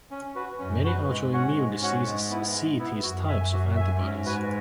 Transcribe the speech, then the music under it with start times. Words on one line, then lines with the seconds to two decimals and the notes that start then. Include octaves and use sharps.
Many autoimmune diseases see these types of antibodies.
0.11 C#4
0.35 F#4 B4
0.59 F#2 C#4
0.84 F#4 B4
1.08 G#2 G#3
1.32 C#4 F#4 C#5 F#5
1.56 G#3
1.81 C#4 F#4 C#5 F#5
2.05 G#3
2.30 B3 E4
2.54 G#3
2.78 B3 E4
3.03 F#2 F#4
3.28 E5 G#5
3.52 F#4
3.76 E5 G#5
4.00 G#2 C#4
4.25 F#4 B4 G#5